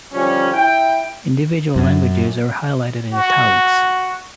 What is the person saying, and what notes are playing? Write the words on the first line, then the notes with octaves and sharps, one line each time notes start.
Individual languages are highlighted in "italics".
D3 F3 G3 C#4
E4 G5
F#2
F#4